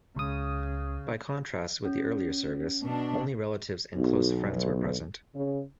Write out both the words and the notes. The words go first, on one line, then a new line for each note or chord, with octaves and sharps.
By contrast with the earlier service, only relatives and close friends were present.
C#2 C#3 D#6
C#4
B2 D4
B1
C#3